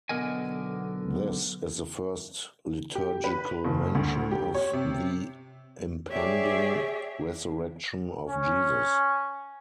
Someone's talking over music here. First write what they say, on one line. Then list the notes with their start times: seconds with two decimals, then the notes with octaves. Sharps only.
This is the first liturgical mention of the impending Resurrection of Jesus.
0.09 B1 D3 B3 A#4 D#5 G#5
2.95 G4
3.24 B4
3.65 F#1
3.95 D2
4.31 G4
4.55 C#5
4.73 C3
6.11 G4 G#4 C#5 D5 E5
8.28 C#4